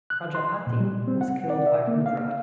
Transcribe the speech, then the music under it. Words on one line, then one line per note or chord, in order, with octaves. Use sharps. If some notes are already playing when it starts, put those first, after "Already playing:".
Prajapati was killed by Rudra.
F#6
C6
A#2
G3
C4
F#5
D5
E5
A#3
F5